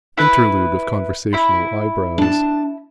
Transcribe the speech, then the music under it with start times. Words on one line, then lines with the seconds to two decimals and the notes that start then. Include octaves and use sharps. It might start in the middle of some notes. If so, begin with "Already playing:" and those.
Interlude of conversational eyebrows.
0.17 E4 B4
1.33 E4 B5
2.18 D4 A5